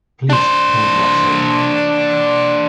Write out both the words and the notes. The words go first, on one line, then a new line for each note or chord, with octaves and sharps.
Please, don’t be absurd.
D4 C5